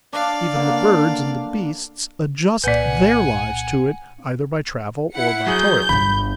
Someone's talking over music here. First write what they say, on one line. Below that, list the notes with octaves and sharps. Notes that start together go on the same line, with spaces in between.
Even the birds and the beasts adjust their lives to it either by travel or by toil.
D4 D5 F5
D3 A#3
C2 A#2 B4 D5 F#5 G#5
E4 F#5 C#7
F#3 G#4 G6
G1 D3 B5